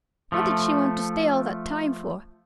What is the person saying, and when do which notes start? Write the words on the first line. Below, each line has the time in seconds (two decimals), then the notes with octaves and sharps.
What did she want to stay all that time for?
0.32 F3 A3